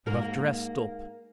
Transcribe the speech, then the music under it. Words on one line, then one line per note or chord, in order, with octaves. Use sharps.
You have dressed up.
G#2 A#3 A#4